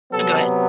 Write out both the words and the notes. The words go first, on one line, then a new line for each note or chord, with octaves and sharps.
uh, go ahead.
C3 F#3 B3 A4